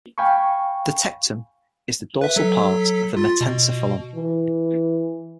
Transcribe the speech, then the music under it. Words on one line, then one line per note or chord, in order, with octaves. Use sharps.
The tectum is the dorsal part of the metencephalon.
F5 G5 G#5 B5 C#6
B4 E5
F#3 A4 B6
F4 A6
B2
E3